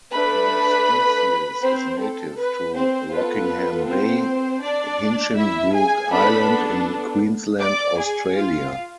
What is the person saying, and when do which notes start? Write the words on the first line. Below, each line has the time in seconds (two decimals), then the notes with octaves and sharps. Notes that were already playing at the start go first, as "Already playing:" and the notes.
The species is native to Rockingham Bay, Hinchinbrook Island in Queensland, Australia.
0.12 A3 D4 A4 B4 B5
1.62 C4 C5
2.00 A4
2.37 B4
2.74 C4 C5
3.12 B3 F4 A4 B4
3.87 C4 C5
4.62 D4 D5
5.37 E4 E5
5.74 G#4 G#5
6.12 B3 D4 A4 B4 B5
7.61 D5 D6
7.98 G#4 G#5
8.36 F4 F5